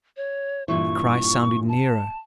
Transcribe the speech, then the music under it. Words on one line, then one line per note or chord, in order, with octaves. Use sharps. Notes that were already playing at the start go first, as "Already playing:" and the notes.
The cries sounded nearer.
C#5
G2 A#2 E3 C#6
A5